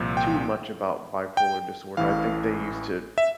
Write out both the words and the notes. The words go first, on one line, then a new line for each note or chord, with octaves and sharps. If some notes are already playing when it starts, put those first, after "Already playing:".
too much about bipolar disorder, I think they used to
Already playing: C2 A#2 F3
G5
G5
A1 A2 E3 F5
E5